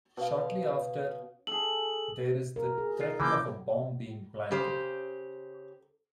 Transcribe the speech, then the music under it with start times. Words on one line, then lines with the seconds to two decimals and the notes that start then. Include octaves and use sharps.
Shortly after, there is the threat of a bomb being planted.
0.17 B2 F5
1.47 G#4 A4 F#7
2.56 A#4
2.78 G#4
3.01 D#4 F4
3.20 C#3 E3 F3 A#3 D6 E6 G6
4.51 C#3 G4 C5